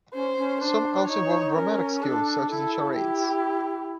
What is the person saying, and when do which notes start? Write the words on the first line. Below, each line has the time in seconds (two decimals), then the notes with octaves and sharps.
Some also involve dramatic skill, such as in charades.
0.14 C#4 C5
0.38 C#4
0.61 D4 C5
1.08 D#4 C#5
1.56 C#4 A#4
2.03 D4 A4
2.50 E4 A4
2.97 G4